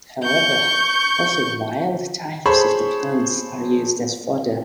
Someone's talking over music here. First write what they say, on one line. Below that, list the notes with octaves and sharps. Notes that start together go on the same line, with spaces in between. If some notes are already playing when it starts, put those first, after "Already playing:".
However, also wild types of the plants are used as fodder.
C#6 G6
G#4 A4 C5 C#5 B5 C#6